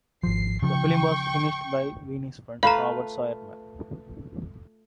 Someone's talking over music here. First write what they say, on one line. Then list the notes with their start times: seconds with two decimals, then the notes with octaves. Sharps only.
The film was finished by Wiene's friend Robert Siodmak.
0.23 G#1 F3 C7
0.62 C#3 F3 G5 C#6
2.63 A3 F4 B4 F5 A#5 B5